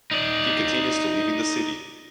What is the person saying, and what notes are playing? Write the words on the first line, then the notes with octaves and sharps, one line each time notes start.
He continues to live in the city.
D#4 D5